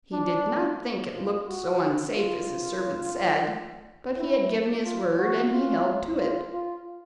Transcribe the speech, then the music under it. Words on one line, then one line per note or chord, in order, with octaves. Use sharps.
He did not think it looked so unsafe as his servant said; but he had given his word and he held to it.
D4
F4
F#4
F4
E4
F4
F#4
F4
F4
F4